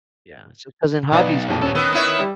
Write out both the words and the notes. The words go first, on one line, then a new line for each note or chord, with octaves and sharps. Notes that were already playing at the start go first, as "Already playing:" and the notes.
Yeah, so 'cause in hobbies,
B1 D#4 B4 D5 F5
A#1 F2
D#1 B3 C#4 A4
D#3 B3 B4 E6
B3 E4 C#5
G3